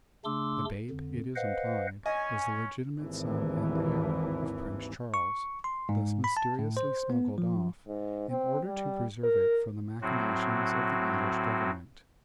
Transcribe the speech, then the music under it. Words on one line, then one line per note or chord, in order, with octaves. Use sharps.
The babe, it is implied, was the legitimate son and heir of Prince Charles, thus mysteriously smuggled off in order to preserve it from the machinations of the English government.
C#3 A3 D4 C6 D6 E6
F2 D3
B4 C5 D#5 F5 F#5
C#4 D#5 G#5
G#1 D#2 E3
C#6
C6
G#2
B5
A5
A2
C5
B3
F3
G#2
C4
G3
A#4
A2 F#3 C4 F#4